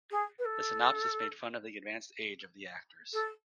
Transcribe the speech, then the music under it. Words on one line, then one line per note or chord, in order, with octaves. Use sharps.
The synopsis made fun of the advanced age of the actors.
G#4
B4
A4
A4